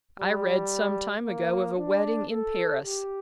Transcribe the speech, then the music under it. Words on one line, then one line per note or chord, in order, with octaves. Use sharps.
I read some time ago of a wedding in Paris.
G3
A#3
D4
A4
G4